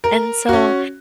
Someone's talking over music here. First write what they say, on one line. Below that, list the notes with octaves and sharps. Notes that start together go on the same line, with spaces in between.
And so
A#4
C#4 F#4